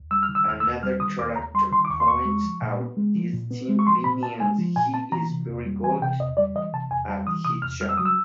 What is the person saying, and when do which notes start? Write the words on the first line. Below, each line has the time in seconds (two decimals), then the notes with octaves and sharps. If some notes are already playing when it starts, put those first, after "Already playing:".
Another character points out this simply means he is very good at his job.
Already playing: D#2
0.11 G3 E6
0.23 F6
0.29 D#3
0.35 E6
0.47 D#2 F6
0.60 E6
0.65 D#2
0.83 G3 F6
1.00 D#3 D#6
1.18 D#2 D6
1.36 D#2 A#5
1.54 G3 C6
1.71 D#3 C6
1.85 D6
1.90 D#2 C#6
2.00 C6
2.08 D#2 C#6
2.25 G#3
2.44 F3
2.62 A#2
2.80 B3
2.97 G#3
3.15 F3
3.33 A#2
3.50 B3
3.69 G#3
3.79 C#6
3.87 F3 C6
4.04 A#2 B5
4.22 B3 A5
4.40 G#3 G#5
4.59 F3
4.76 A#2 G#5
4.94 B3 A5
5.12 E3 A#5
5.30 C3
5.49 E2
5.66 G3
5.83 E3 G#5
6.01 C3 G5
6.20 E2 D#5
6.37 G3 D5
6.55 E3 D#5
6.73 C3 A5
6.91 E2 G#5
7.09 G3 A5
7.27 E3 D#6
7.45 C3 D#6
7.62 E2 F6
7.80 G3 F6
7.89 E6
7.97 F#3 D#6
8.06 E6